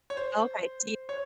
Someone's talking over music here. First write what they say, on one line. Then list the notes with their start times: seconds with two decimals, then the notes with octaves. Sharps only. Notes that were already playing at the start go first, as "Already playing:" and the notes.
Okay, do you
0.10 C#5
0.17 C5
1.09 C#5